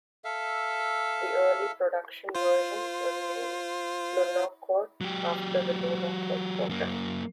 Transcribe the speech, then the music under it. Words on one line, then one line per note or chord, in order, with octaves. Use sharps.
The early production version was named "Lunokhod" after the Lunokhod programme.
A4 E5 F5
F4 C5
F#3 G4
F#2 A#3